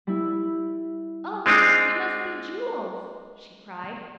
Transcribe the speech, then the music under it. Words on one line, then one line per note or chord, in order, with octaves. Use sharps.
"Oh, you must be Jules," she cried.
G3 E4
G#3 C4 D4 D#4 F4